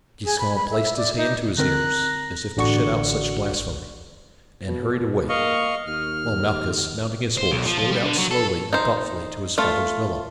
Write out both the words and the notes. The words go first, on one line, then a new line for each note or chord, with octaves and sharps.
Giscon placed his hand to his ears as if to shut out such blasphemy, and hurried away, while Malchus, mounting his horse, rode out slowly and thoughtfully to his father's villa.
G#4
B5
B5
E5
D5
D#4
D3 C4 A#4 A#5 F#6
A1 D3 D4 F#4 D5 C#6
B2
A#3 D#5 F5 C#6
D#2 F6
C5
B1
F3
F3
G3
D3
F#3
A4
D#4 C5
A3 F4